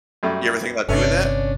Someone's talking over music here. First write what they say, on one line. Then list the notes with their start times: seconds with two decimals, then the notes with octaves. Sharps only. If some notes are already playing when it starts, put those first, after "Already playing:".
You ever think about doing that?
0.23 F#2 G3 A3
0.89 G1 C3 A3 B3 C#4 D4 A4